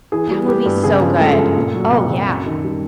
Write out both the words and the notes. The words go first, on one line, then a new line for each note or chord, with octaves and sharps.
That movie's so good, oh yeah.
E3 G#4
G3
B3 G4
G2
C#3 G#4
F3
G#3 A4
F#2
A#2
F#3
C2
C2
F#2
D#3
G3